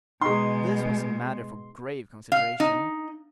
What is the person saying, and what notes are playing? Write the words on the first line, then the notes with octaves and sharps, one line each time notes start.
This was a matter for grave consideration.
B2 G#3 D#4 G#4 C6
F5
D#4